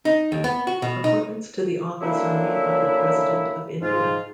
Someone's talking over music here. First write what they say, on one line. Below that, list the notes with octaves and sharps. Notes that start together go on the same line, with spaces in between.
Appointments to the office are made by the President of India.
D#4
D#2
B3
F#4
B2
D#4
D3 F#3 A#3 C#4 D4 E4
G#2 F4